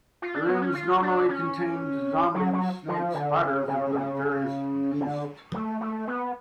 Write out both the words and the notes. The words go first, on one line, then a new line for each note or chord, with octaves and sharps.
The rooms normally contained zombies, snakes, spiders and other various beasts.
F4
D4
B3
C#4
F4
D4
C#4
F#3
F#3
F3
D3
C#3
C#3
C#3
D3
A3
A3
B3